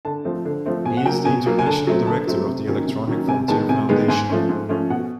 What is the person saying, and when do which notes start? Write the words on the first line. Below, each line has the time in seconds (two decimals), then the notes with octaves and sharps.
He is the International Director of the Electronic Frontier Foundation.
0.05 D3 A5
0.25 F3 A3 C4
0.45 D3
0.66 F3 A3 C4
0.85 B2 G#5
0.97 F#5
1.06 F#3 A#3 G5
1.25 B2 G#5
1.46 F#3 A#3
1.59 G#5
1.66 D3 A5
1.87 F#3 A3 C4
2.06 D3 A5
2.27 F#3 A3 C4
2.48 C3
2.67 D#3 F#3 A#3 C#4
2.88 C3
3.07 D#3 F#3 A#3 C#4
3.28 C3 G#5
3.48 D#3 G#3 B3 A5
3.69 C3 G#5
3.89 D#3 G#3 B3
4.08 G#2 G#5
4.29 F3 A3 C#4
4.49 G#2
4.69 F3 A3 C#4
4.90 B2 F#5